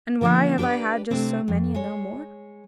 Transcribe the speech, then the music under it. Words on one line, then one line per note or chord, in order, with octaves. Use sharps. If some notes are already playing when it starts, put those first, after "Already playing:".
And why have I had just so many and no more?
D3 F3 A#3 C4 D4
D4 G4 A#4 B4 D5
C3 A3 C4 D4
F2
G#3 C#5